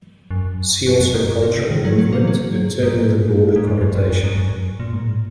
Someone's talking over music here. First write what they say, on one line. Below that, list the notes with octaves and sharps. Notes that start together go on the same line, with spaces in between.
See also cultural movement, a term with a broader connotation.
F#2
F#2
F#2
G#2
G#2
A#2
C#3
D#3
F#3
F#3
A#3
F#3
G#2
G#2
F#2
F#2
F2
F#2
G#2
F#2
A#2
G#2